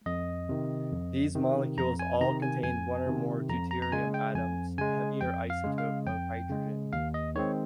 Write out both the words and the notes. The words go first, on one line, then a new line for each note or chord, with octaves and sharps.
These molecules all contain one or more deuterium atoms, a heavier isotope of hydrogen.
F2 D#5
C3 D#3
F2
C3 D#3
F2 A#5
G#5
C3 D#3 A#5
G#5
F2 G#5
C3 D#3
F2 A#5
A#5
A#5
C#3 G#3 G#5
G5
F2 G#5
C#3 G#3 G#5
F2 G5
F5
C#3 G#3
F5
F2 G5
C#3 G#3
D#2 F5
D#5
D#3 G#3 C4 C#5